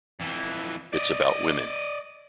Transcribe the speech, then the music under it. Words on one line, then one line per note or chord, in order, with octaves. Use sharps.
It's about women.
F2 E3
D5 D#5